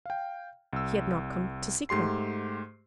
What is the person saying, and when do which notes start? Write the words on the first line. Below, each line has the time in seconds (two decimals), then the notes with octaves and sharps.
He had not come to seek her.
0.06 F5 G5
0.73 C2 E6
1.89 G#2 A3 G4 C6 C7